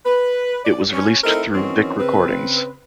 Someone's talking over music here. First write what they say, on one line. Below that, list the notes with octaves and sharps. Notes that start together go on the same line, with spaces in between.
It was released through Vik Recordings.
B4
D5
C#4
A3 C4 D#4 E4 A4 A#4
D#3 E3 F#3 C4 C#4
C#3 C4 B4